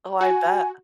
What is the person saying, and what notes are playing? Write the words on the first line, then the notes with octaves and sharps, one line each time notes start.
Oh, I bet.
F#4 G#5